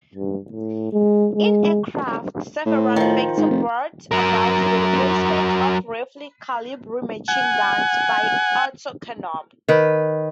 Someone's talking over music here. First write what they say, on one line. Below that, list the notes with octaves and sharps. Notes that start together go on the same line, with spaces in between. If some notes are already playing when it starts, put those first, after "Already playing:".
In aircraft, several factors brought about the replacement of rifle-calibre machine guns by autocannon.
G2
A2
G#3
G#3
A2
D#3 F3
G#2
F1
F#3 A#4
F#5 G#5
D#3 B4